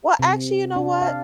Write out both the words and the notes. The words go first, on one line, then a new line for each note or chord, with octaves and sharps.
Well, actually, you know what?
C3
D4
F5